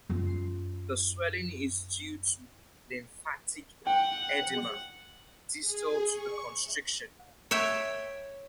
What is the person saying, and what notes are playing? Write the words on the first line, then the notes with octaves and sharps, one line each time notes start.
The swelling is due to lymphatic edema distal to the constriction.
F#2 F4
F#5 G5
G#4
C#6
C#5 E5 G5